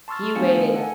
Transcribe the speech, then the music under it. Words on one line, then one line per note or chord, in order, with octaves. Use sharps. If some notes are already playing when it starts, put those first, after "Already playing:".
He waited.
A5 C6 C#6 E6 F6 A6
A3 B3 D4 F5 G#5 C#7
A4 F#5 G#5 A5